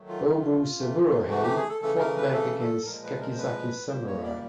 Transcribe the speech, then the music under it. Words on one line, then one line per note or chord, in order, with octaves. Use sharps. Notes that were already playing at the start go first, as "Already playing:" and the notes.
Obu Saburohei fought back against Kakizaki's samurai.
Already playing: D#3 F#3 A3
F4
F4
C3 E3 A3
F#4
G4
G#4
A4
C#3 E3 A3 A4
A#4
B4
A4
A4
A#2 F3 G#3 A#4
B4
A#4
C5
B4
A#2 G3 A#3 C5
C#5
D5